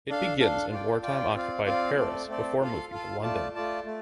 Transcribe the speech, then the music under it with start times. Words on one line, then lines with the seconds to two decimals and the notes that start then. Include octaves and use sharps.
It begins in wartime occupied Paris before moving to London.
0.09 D4 A4 F5
0.40 D4 A4 F5
0.71 F4 D5 G5
1.02 F4 D5 G5
1.34 C4 F4 D5 F5
1.66 C4 F4 D5 F5
1.97 A3 C4 A4 D5
2.28 A3 C4 A4 D5
2.60 F4 A4 F5
2.91 F4 A4 F5
3.23 A3 F4 D5 A5
3.55 A3 F4 D5 A5
3.86 A3